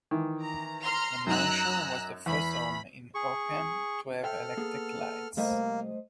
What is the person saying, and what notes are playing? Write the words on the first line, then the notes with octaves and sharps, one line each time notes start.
The mansion was the first home in Hoquiam to have electric lights.
D#3 E3
A#5
A#5 C6 F6
F#2 D#4 A#5 E6 F#6
E2 B5
G#4 C#6
A4 C5 E5 G5 F6
A#3 B3 G#4
C2 G3 A3 A#3 C5 D#5